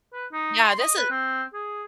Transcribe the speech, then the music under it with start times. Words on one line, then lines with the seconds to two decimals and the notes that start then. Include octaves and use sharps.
Yeah, this i
0.13 B4
0.33 D#4
0.64 C6
0.79 D#5
0.98 B4
1.10 C4
1.54 G#4